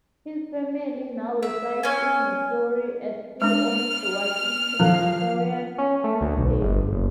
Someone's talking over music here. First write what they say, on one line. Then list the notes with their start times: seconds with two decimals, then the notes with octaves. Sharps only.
His family now resides in Missouri and still owns the "Washington Missourian" newspaper.
1.43 E5
1.83 C#4 G#5
3.42 G#3 D4 F6
4.80 D#3 F3 A4 F5
5.78 C#4
6.04 A3
6.21 D2
6.37 B1
6.60 G1
6.92 F#1